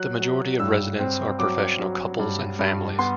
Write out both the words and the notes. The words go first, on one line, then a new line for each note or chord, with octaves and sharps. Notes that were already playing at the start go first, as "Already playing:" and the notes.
The majority of residents are professional couples and families.
Already playing: F#3 F#6
F#3
G2 E6
C4
F#3 D6
F#3
G2
G2
B3 C6